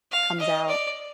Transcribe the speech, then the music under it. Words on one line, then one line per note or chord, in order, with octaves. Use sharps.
comes out.
F5
D#5
D5